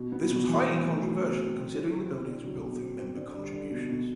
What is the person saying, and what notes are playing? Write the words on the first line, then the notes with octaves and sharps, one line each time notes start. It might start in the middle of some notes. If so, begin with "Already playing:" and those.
This was highly controversial considering the buildings were built through member contributions.
Already playing: B2
B3
B2
E3
E3
A3
F#3
B2
C4
C4
F#3
E4
C4
D3
F#3
B2
C4
C4
D3
G3
D3
B2
B2